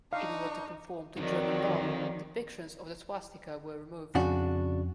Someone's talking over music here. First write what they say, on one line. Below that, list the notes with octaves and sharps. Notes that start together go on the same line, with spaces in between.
In order to conform to German law, depictions of the swastika were removed.
D4 D#4 F5 C#6
F2 G#2 D#3 F3 F#3 D5
F2 C#3 D4 F#4